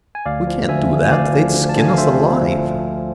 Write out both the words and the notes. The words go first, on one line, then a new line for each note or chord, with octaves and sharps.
We can't do that, they'd skin us alive.
G#5
D2 D5 F5
F3
D2 E5 G#5
D3
G#5
D2 D5 F5
F3
D2
A5
D3 G#5
F5
D2 C5 E5
F3